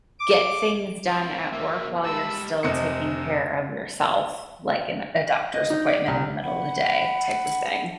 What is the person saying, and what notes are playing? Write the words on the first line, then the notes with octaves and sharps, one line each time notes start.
get things done at work while you're still taking care of yourself, like in a doctor's appointment in the middle of the day type of thing.
D6
C4 E4 F4
F#3 A#3 E5
G3 G#3 A5 B5 E6
F1 C3 D#5 C#7
D#5
D#4
D5
C2
F#5 B5